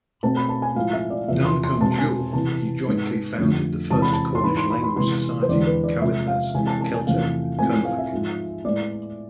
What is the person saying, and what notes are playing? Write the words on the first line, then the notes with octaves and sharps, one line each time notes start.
Duncombe-Jewell he jointly founded the first Cornish language society, "Cowethas Kelto-Kernuak".
B2 A3 C4 A5
B5
A5
G#5
A2 F3 G#3 F5
E5
D5
E2 C3 F3 B3 E5
C6
C6
B2 G#3 C4 A5
A5
G#5
C3 E3 B3 A5
G#2 G#3 B3
F2 D3 A3
E2 C3 G#3 C4 A5
B5
A5
C6
G#2 E3 B3 B5
C6
B5
B5
C3 E3 G#3 B3 C6
C5
E2 D3 G#3 B3 D5
B4
D5
C3 F3 G#3 E5
F5
C3 E3 G#3 C4 G#5
A5
A5
G#5
E2 C3 F3 A3 C4 F5
A2 F3 A3 C4 G#5
F5
E5
G#2 F3 G#3
A2 G#3 B3 D5